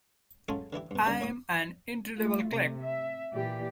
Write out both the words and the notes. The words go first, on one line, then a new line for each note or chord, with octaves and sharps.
I'm an entry-level clerk.
F#3 G#3 C#4 F4 G#4 A4
D3 E3 E4 G4
G2 B2
C#2 D3 G3
A2 F#4 D#6
A3 F4
C3 A3
E5
A#2 E3 G4 D5